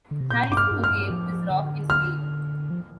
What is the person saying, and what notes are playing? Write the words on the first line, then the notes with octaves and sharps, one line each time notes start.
Harrison who gave this rock its name.
D3
C3
A#2 G6
G2 D6
F6
G2
F6
G2
F3
D3
F6
F3